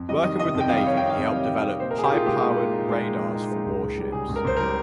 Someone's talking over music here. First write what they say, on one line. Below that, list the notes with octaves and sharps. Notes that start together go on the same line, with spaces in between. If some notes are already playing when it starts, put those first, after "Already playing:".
Working with the Navy, he helped develop high-powered radars for warships.
Already playing: F2
G3 D#5
D#3 D#5
C3 D#5
F2
G5
G3 F5
D#5
D#3 C#5
G5
C3
F5
F2 C#5
G3
D#3
C3
A#2 C5
A#4
A#2 G#4
G4
D#4 F4
G#3 G4
A#2
A#2
D#4
G#3
A#2
A#2
D#4
G#3
C#2
C#2
G3
C#3 G#4
C#2
A#4
C#2 C5
G3 A#4